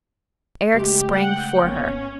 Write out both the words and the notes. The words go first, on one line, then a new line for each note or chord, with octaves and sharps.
Eric sprang for her.
C#3 G#3 A3 G4
F#5 G5
G#1 A#3 B3 C#4